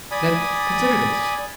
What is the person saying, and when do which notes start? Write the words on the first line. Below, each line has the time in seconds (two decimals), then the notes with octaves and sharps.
Then consider this.
0.11 D5 G#5 B5 D#6